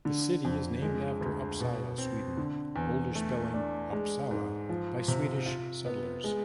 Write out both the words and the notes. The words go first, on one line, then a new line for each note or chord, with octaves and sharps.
The city is named after Uppsala, Sweden, older spelling Upsala, by Swedish settlers.
D3
F2
G#3
D2
B2
C4
D3
E2
A3
D4
G#3
G#2
F3
C3
F4
B3
G#3